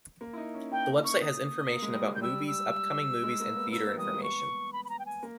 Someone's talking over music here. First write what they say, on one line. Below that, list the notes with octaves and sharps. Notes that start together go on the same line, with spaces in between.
The website has information about movies, upcoming movies, and theater information.
A#3
E4
D#4
C#4
A#3 G5
C#6
D#6
A#3
G#3
G3
G#3
G6
G3 E6
E6
G#3
A#3
B3
A#3 E6
E3
G3 D#6
G#3
A#3
B3 C#6
B5
B5
A#5
G5
G#5
A#3